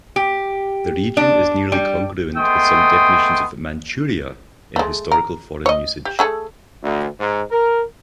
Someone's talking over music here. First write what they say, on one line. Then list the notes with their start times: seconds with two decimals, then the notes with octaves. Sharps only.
The region is nearly congruent with some definitions of "Manchuria" in historical foreign usage.
0.16 G4
1.17 D4
1.72 G3
2.37 G#3 A3 B3 G5 C6 D#6
4.76 G#3 A3
5.12 A#4
5.66 C#5 D#5
6.05 G4
6.19 A3 G#4 A4
6.83 D2
7.20 G#2
7.51 A#4